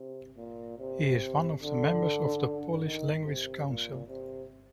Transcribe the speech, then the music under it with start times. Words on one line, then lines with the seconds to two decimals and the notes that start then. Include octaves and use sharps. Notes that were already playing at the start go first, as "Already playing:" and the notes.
He is one of the members of the Polish Language Council.
Already playing: C3
0.37 A#2
0.79 C3
1.61 D3
2.84 D#3
3.25 C3
3.66 A#2
4.07 C3